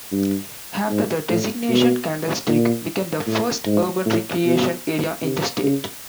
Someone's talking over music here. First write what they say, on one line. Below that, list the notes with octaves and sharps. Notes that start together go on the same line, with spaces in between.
After the designation Candlestick became the first urban recreation area in the state.
G2
G#2
A2
B2
A#2
A2
G#2
A2
B2
C3
C#3